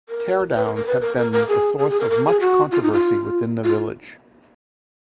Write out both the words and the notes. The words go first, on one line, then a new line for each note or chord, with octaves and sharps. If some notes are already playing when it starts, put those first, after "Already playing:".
Teardowns have been the source of much controversy within the village.
A#4
B4
A#4
A#4
B4
A#4
A#4
A#4
G#4
G#4
G#4
A#4
A#4
G#4
F#4
F4
D#4
F4
F4